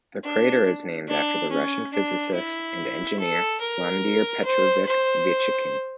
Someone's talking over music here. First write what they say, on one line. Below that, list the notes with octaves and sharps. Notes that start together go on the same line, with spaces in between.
The crater is named after the Russian physicist and engineer Vladimir Petrovich Vetchinkin.
D4
D4
C#4
D4
E4
A4
A#4
C5
C5